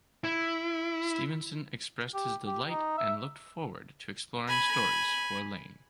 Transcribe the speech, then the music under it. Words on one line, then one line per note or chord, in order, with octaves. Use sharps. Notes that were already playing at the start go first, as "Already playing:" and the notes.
Stevenson expressed his delight and looked forward to exploring stories for Iain.
E4
G4
G4
D#4
E5
G#5 B5